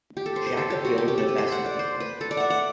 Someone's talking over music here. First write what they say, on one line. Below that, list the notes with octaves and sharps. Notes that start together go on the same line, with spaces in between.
Jack appealed to the best in people.
G4
A4
C5
C5
A4
G4
F#4
G4
G4
A4
B4
C5
F#5
D5
C5
B4
A4
D5
E5 F#5
F#5